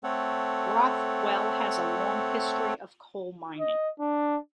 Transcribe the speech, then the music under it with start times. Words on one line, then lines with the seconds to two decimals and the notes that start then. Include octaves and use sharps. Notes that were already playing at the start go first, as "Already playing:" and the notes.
Rothwell has a long history of coal mining.
0.04 A3 C4 A4 C#5 F#5
3.60 D#5
4.00 D4